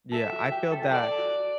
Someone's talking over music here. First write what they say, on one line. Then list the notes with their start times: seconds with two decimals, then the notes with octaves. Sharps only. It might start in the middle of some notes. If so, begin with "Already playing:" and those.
Yeah, I feel that
0.11 A4 E5
0.32 F#4
0.52 G4
0.71 A4
0.82 G4
0.91 A4 D5
1.18 F#4